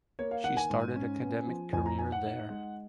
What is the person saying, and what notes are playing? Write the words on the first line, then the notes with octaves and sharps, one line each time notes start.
She started academic career there.
A#3 C#5
F5
D#3 F#5
G#5
G#2
C#4
B3
F3
F2 G#5
A#5
D#4 G#5
F#5
D#4
G#3